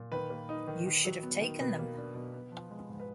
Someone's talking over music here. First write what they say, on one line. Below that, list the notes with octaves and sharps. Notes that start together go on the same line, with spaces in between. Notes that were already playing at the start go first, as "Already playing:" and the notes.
You should have taken them.
Already playing: A#2
D#3 B4
A#3
D#4
D#3
D#3
F#3
B3
D#3
B2 B4
A#3
D4
B2
B3
F3
G#3
G#2
B4